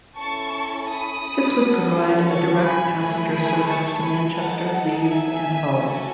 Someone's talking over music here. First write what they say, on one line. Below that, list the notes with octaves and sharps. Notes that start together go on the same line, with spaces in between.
This would provide a direct passenger service to Manchester, Leeds and Hull.
C#4 E4 A4 A5 C#6
B5 D#6
C#4 F#4 A4
A5 C#6
G#5 B5
A3 E4 G#4 G#5 B5
G#5 B5
A5 C#6
G#5 B5
D#4 A4 F#5 A5
E5 G#5
A3 C#4 F#4 A4